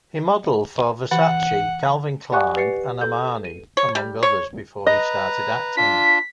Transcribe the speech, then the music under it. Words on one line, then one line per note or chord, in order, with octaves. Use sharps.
He modeled for Versace, Calvin Klein, and Armani, among others before he started acting.
E3 F#5
G4 D5 F#5 G#5 C#6 F#6
G4 B4 A6 C7 C#7
A4 G6
D#7
C#5
G3
C#5
B4 D#5 A#5
D4 F4 B6